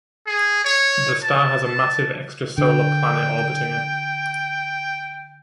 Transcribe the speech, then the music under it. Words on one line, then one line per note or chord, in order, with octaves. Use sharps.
The star has a massive extrasolar planet orbiting it.
G#4
C#5
A5
A5
D3 G5